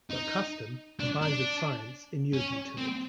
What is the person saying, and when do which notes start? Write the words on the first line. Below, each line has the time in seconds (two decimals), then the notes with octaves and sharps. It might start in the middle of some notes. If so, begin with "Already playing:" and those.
But custom, combined with science inured me to it.
0.10 D#4
1.00 D4
1.22 D4
2.33 C#4
2.78 C4